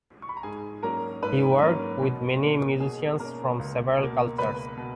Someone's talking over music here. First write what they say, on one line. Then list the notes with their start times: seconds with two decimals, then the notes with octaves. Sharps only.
He worked with many musicians from several cultures.
0.22 C#6
0.29 B5
0.37 A#5
0.43 G#2 G#4 G#5
0.83 F#3 A#3 C#4 A#4 A#5
1.22 G#2 B4 B5
1.62 F#3 A#3 C#4
2.02 B2
2.41 A#3 C#4
2.80 B2 G#4 G#5
3.20 A#3 C#4 A#4 A#5
3.59 C#2
3.98 B2 A#3
4.38 C#2 B4 B5
4.77 B2